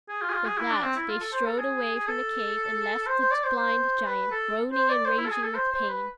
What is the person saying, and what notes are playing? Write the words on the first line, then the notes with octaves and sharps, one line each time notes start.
With that they strode away from the cave and left the blind giant groaning and raging with pain.
G#4
F4
G#4
F4
G#4
E4
D4
C4
E4
F4
A4
C5
A4
G#4
G#4
A4
C5
C5
D5
C5
C5
B4
A4
C5
D5
C5
E4
A4
G#4
A4
C5
C5
B4